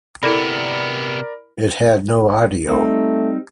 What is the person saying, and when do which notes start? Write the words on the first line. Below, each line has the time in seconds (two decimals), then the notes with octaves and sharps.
It had no audio.
0.23 C3 B3 E4 A4 A#4 D5 B5 A#6
2.69 G3 A3 C4 D#4